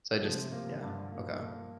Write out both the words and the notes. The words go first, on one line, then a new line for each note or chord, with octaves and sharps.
So I just Yeah, okay. I
C3 F3
A#3
D3
G2
A#3
A#3